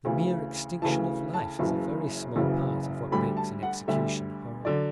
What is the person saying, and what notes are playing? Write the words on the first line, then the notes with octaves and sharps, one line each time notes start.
The mere extinction of life is a very small part of what makes an execution horrible.
D2 C#3 E3
D2 C#3 E3 A5
A5
F#1 F#2 C#3 E3
F#1 F#2 C#3 E3
D2 D3 G3 B5
A5
F#5
D2 D3 G3 E5
D3 F#3 D5